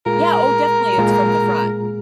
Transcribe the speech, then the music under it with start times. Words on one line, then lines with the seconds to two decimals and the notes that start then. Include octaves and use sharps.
Yeah, oh, definitely, it's from the front.
0.06 A#2 G#3 F4 G#4 A#4
0.97 A#2 G#3 F4 G#4